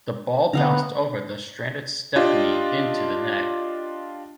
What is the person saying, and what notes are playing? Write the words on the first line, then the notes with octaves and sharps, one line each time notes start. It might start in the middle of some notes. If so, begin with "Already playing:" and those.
The ball bounced over the stranded Stepney into the net.
D3 B3 F5 A#5
D4 F4 G4 D#5